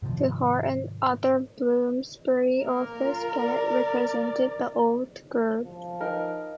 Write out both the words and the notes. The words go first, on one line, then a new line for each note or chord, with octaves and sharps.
To her and other Bloomsbury authors Bennett represented the "old guard".
G#2 C3 D#3 F3
A#3 A#4
F4
D5
F3
D#4 A#4 G5